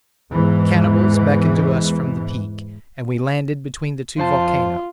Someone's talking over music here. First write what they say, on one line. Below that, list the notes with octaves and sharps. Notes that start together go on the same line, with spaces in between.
The cannibals beckoned to us from the peak, and we landed between the two volcanoes.
E2 G#2 E3
F2 F4 C5 A5